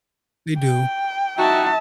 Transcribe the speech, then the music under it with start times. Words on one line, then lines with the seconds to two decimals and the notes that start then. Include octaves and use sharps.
They do.
0.59 G5
1.38 D#4 F#4 E5 A5